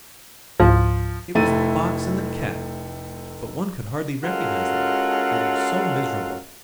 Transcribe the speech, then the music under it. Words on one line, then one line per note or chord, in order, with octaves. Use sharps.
It was the Fox and the Cat, but one could hardly recognize them, they looked so miserable.
C#2 G#2 F3
F1 C3 A3 E4 A6 D#7
G#3 C#4 F4 F#4 A4 A#4